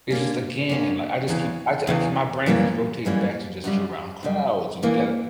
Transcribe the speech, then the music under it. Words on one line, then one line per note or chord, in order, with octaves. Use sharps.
It's just again, like, I just keep, I I keep my brain keeps rotating back to just you're around crowds, and you gotta
D3 A#3 C#4
D3 A#3 C#4
E2 C#3 E3
E2 C#3 E3
F#2 E3 G3 A#3 C#4
F#2 E3 G3 A#3 C#4
F#2 C#3 G3
F#2 C#3 G3
C#3 E3 A#3